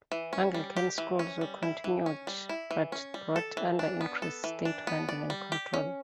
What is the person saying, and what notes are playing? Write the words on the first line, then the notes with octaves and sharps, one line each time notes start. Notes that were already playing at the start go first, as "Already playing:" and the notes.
Anglican schools were continued, but brought under increased state funding and control.
E3
C#4
G3
G4
E3
C#4
G3
E4
E3
C#4
G3
E4
E3
C#4
G3
A4
E3
D4
B3
A4
E3
D4
B3
D5
G3
G4
C#4